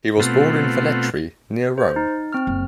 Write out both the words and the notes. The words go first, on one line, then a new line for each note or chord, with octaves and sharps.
He was born in Velletri, near Rome.
B2 A3 C4 F4 F#5
C5
D#4
C4 F6
F#1